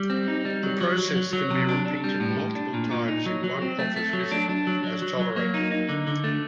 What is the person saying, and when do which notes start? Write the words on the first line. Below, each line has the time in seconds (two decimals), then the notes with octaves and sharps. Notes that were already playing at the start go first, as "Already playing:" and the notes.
The process can be repeated multiple times in one office visit, as tolerated.
Already playing: G3
0.10 C4
0.28 D#4
0.45 G3
0.63 F#3
0.81 F#3
0.98 F#3
1.16 F#3
1.33 F#3
1.50 C3
1.69 D4
1.86 D4
2.04 G3
2.20 A2
2.39 A2
2.55 D4
2.74 A#2
2.91 A#2
3.08 D#4
3.26 F#3
3.44 F#3
3.62 C4
3.79 A3
3.96 A3
4.13 F#3
4.31 D4
4.49 D4
4.67 F#3
4.84 F#3
5.02 F#3
5.20 F#3
5.36 A#3
5.54 D#4
5.72 D#4
5.89 D3
6.07 D3
6.24 A3